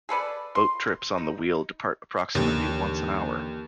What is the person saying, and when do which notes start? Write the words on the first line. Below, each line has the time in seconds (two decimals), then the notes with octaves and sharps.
Boat trips on the wheel depart approximately once an hour.
0.09 G#4 A4 B4 D5
0.55 C6
1.18 D#4
2.35 D#2 D3 E3